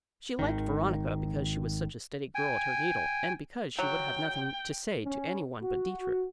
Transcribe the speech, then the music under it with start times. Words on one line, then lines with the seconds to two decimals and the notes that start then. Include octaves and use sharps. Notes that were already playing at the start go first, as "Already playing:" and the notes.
She liked Veronica because she was such a steady girl at her needle, and because she would have nothing to say to any one but Dietrich.
0.39 G#1 D#3
2.35 G5 G#5
3.79 F#3 G5
5.05 C#4
5.61 F#4